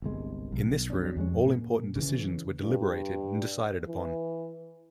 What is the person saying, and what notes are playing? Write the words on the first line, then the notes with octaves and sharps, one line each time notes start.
In this room, all important decisions were deliberated and decided upon.
G1 C2 G#3
B1
F#3 G3 C#4 D4
F2 G3 G#3 C#4
A#2
C#3 E3
G2
E3